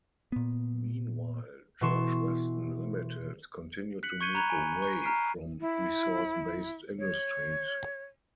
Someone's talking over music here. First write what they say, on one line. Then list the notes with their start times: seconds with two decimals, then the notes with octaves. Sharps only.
Meanwhile, George Weston Limited continued to move away from resource-based industries.
0.32 A#2 B3
1.81 B2 E3 A4 C6 C#6 E7
4.03 F#6 B6 C#7 F#7
4.21 C#6 G6 G#6 C#7 D#7 G7
4.35 A#5 B5 F#6 G#6 F7
4.50 G#5
4.82 C#6
5.02 A#5 F6 B6 C7 D7 D#7
5.61 E4
6.99 C#5